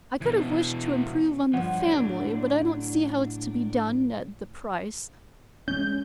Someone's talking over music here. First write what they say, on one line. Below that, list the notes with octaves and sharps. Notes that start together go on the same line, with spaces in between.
I could have wished to improve on the Family, but I don't see how it's to be done at the price.
B2 E3
G2 F3 C#5 F#5
A2 F#3 D4
G#3 C#4 G6